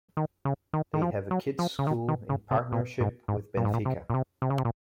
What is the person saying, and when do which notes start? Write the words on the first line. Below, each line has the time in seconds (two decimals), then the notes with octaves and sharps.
They have a kids school in partnership with Benfica.
0.17 D#3
0.45 C#3
0.73 D#3
0.94 D#3
1.02 F3
1.31 F#3
1.59 F3
1.79 C#3
1.87 D#3
2.08 D#3
2.29 C#3
2.51 C3
2.72 A#2
3.00 G#2
3.28 G#2
3.57 A#2
3.65 G#2
3.74 A#2
3.85 C3
4.10 A#2
4.14 C3
4.42 C3
4.50 C#3
4.58 C3
4.65 A#2